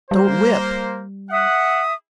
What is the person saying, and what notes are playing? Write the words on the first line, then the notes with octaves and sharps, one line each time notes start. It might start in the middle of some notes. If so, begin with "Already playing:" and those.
"Don't whip."
G3 A#3 C5
E5 F#5 D#6